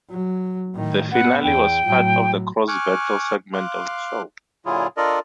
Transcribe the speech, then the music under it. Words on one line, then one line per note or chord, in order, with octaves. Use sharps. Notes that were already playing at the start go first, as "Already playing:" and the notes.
The Finale was part of the Cross Battle segment of the show.
F#3
A2 D#3
B3 F#5
E2 G5
A2 F#3
G#5 C#6 D6 F6 F#6
F5 C6 D6 F#6
A#2 D3 F#3 E4 F4 G#4
D4 F4 A4 A#4 D5 D#5